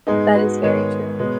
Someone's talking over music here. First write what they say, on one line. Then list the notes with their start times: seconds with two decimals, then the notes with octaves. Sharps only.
That is very true.
0.07 G#2 G#3 B3 D#4 G#4
0.35 F#4 B4
0.63 G#2 D#3 G#3 B3 G#4 C#5
1.19 B2 G#3 B3